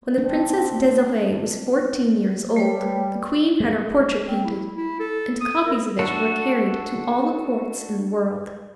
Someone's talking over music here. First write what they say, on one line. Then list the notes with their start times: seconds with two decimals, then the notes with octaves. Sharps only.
When the Princess Desiree was fourteen years old, the Queen had her portrait painted, and copies of it were carried to all the Courts in the world.
0.18 C4 D4
2.56 G3 A3 B4 C#5
3.60 G#3
4.27 C4
4.45 E4
4.77 E4
5.00 A4
5.41 D#6
5.66 A#4
5.99 D4 F#4 A4